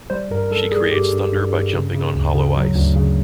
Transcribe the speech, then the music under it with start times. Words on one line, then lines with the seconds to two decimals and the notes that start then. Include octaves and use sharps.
She creates thunder by jumping on hollow ice.
0.10 G3 C5
0.30 G2 A#4
0.44 A#4
0.51 G3 A4
0.71 G3 G#4
0.91 G2 G4
1.13 G2
1.32 G2
1.54 G2
1.73 C#3
1.94 C#3
2.15 D2
2.35 C#3
2.56 F#3
2.75 D2
2.96 C#3